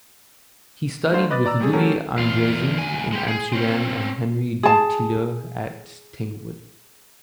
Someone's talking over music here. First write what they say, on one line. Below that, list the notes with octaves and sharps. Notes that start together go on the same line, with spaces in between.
He also studied with Louis Andriessen in Amsterdam and Henri Dutilleux at Tanglewood.
F#3 A3 D4 C5 F5
B4 D#5 D6 F#6 A6
D5 A#5 E6
G3 A3 G4 G#4
F#3 A3 C#4 G4 A4 A#4
E2 F4
D2 G#5
G#3 G4
G#4
C4 C#4
G#4 A5